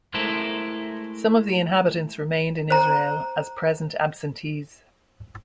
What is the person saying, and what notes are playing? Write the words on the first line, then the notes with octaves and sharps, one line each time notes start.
Some of the inhabitants remained in Israel as present absentees.
G#3 A3 E4 A4 A#4 C5
C5 A#5